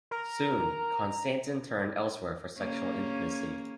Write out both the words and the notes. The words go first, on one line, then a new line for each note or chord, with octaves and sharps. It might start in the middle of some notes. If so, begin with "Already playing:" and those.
Soon, Konstantin turned elsewhere for sexual intimacy.
A#4 A#5
C#3 A#3 C#4